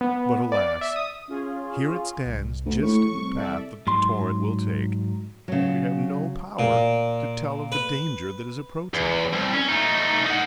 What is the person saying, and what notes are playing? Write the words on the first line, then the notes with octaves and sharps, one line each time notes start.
But, alas! here it stands, just in the path that the torrent will take, and we have no power to tell of the danger that is approaching.
B3
D5
E5
D#6
C#4 F4 G#4
C2
D2
A2 C#6
C2
A4 D5 E5
G#2 F#3 C6
C#3 F#3
A#2
B4
E2
C2
C#4
A3 D#4
D#4 F#5